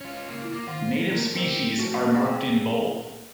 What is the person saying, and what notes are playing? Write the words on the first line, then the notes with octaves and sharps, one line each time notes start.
Native species are marked in bold.
C#4 F4
C#2 A#3
E4 F4
A#3 D6
D#3 F4 F#5
A3 A#3 E4 F4
G4 A#4 C5 D5 E5
F3 A3 C#4 F#4
C4 C#4 G4 G#4 E5 F5